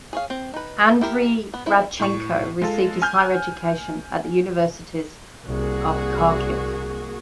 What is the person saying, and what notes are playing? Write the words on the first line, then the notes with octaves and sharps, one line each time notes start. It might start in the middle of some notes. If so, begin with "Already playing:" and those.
Andriy Radchenko received his higher education at the universities of Kharkiv.
G#4 C#5 F5
C4
D#4 B4
E4 G4 A#4
B3
D#3 C4 E4
A2 C#6
G#3 F4 A4
G#5 F6 G6
C2 A#3 F#4 G#4